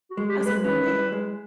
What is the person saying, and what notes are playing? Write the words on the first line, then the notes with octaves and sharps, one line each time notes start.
I said, "No, ma'am."
F#4
G#3
G4
G#3
B4
C#4 B4
E4
G#3